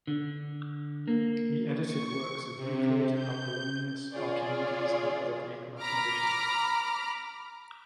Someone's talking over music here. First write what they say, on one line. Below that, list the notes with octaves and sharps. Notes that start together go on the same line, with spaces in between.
He edited works of Euclid, Apollonius, Archimedes, and other Greek mathematicians.
D3
A#3
C#6
C3
G6
F4 G#4 C#5 D5
A#5 B5 D6 F6